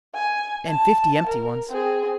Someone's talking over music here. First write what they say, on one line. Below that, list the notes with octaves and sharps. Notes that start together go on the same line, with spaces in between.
"And fifty empty ones."
G#5
A5
A#4
C4 G#4